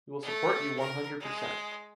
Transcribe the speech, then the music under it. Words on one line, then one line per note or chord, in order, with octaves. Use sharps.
We will support you, one hundred percent!
A3
A#4
G#3